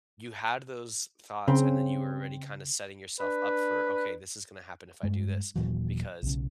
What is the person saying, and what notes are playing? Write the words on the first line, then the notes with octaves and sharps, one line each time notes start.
you had those thoughts, and then you were already kinda setting yourself up for, "Okay, this is gonna happen if I do this," because,
C#3 C4
D4 B4
G2 G#3
D#1 A#2 E3 F#3
B1 C#3